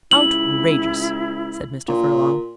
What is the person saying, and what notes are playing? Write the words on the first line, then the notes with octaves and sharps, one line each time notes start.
"Outrageous!" said Mr. Furlong.
C#2 E4 F#7
A#2